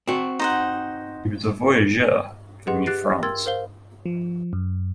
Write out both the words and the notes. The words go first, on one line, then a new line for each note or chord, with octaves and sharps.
He was a voyageur for New France.
C4 F#4
D#4 C5 F#5
G4 G#4 B4 D#5 F#5 C6
G4 F#6 A6 C7 D7
E5
A#4 G5 C6 E6 G#6 A6
A#4 C5 F5 G7
F3
F#2